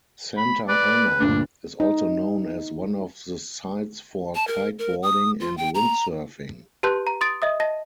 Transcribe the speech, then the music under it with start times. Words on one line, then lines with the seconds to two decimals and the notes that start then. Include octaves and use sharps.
Santa Ana is also known as one of the sites for Kiteboarding and Windsurfing.
0.37 B5
0.69 B4 D5
1.20 D2 G2 A#2 D4
1.80 D#4
4.35 A5
4.48 A#4
4.79 A#4
5.03 D#6
5.40 F4
5.57 G5
5.75 A#5
6.83 G4 B4 A5 C6 F#6 G6
7.07 A#5
7.21 C6 D#6 A6 D7
7.42 D#5 E5 D#6
7.60 D#5 A5 A#6 D#7